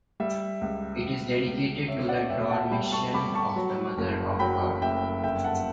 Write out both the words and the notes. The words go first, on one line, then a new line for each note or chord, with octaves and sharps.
It is dedicated to the Dormition of the Mother of God.
G3 E5
C#2
C#2
C#2
C#4 E5
D5 F#5
B2 E5 G5
F#5 A5
G3 G5 B5
A5 C#6
G3 B5 D6
A5 C#6
F#3
F#1
F#3 G5 B5
F#1 E5 G5
G1 E5 G5
F#5 A5